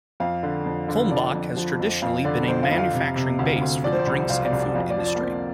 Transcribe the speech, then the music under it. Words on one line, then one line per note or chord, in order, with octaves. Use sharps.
Kulmbach has traditionally been a manufacturing base for the drinks and food industry.
F2 F5
D3
F2
D3
F3 D5
F2
F3
F2
F2 F5
D3 D5
F2 C5
F5
F2
F5
C3
C3
D2
D2
F3 D5
C5
D5
C2
C2 F5
D5
C2
D5
F2 F5
D5
F3
D5
A#3
F2 C4